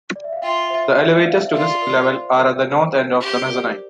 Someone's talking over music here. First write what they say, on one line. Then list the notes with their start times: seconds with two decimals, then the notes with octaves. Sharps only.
The elevators to this level are at the north end of the mezzanine.
0.16 D5
0.24 E5
0.33 F5
0.42 F4 E5 G5
0.69 C5 E5
0.98 C5 E5
1.26 D5 F5
1.46 E5
1.53 F4 D5 F5
1.81 A#4 D5
2.09 C5
2.37 A#4
2.64 C5
2.93 A#4
3.20 G4 C5
3.48 A#4 D5